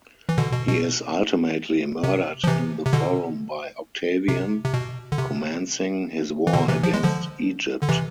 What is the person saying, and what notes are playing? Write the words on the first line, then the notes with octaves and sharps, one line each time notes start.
He is ultimately murdered in the Forum by Octavian, commencing his war against Egypt.
E3
B2 D3
B2
B2
C3
F3
C3 E3
C3
B2 D3
C3
C3
B2
D3
C3
E3
B2 D3
C3 E3
F3
G#3
D3 F3
D3
C3 E3